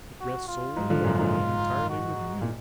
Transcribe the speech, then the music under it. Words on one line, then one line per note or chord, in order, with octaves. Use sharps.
It rests solely, wholly, and entirely with you.'
F#4
F4
G#2
D3 F3
F#2 A#2
G#2
F#4
A#2